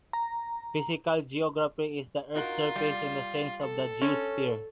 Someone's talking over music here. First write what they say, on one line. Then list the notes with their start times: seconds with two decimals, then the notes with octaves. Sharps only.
Physical geography is the earth's surface in the sense of the geosphere.
0.13 A#5
2.35 D#4 F4 F#4 A#4
2.76 G3
3.62 A4
4.01 C#4